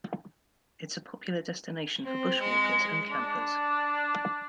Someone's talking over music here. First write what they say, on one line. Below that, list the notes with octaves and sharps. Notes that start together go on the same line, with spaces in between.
It is a popular destination for bushwalkers and campers.
C4
G#3
D4